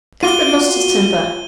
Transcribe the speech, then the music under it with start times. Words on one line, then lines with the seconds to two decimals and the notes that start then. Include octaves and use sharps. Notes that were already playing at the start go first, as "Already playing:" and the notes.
Cuthbert lost his temper.
0.23 F4 F#4 C6 D6 D#7 G7